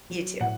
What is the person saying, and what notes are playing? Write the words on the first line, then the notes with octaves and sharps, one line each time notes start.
You too.
F#3
A2 F#5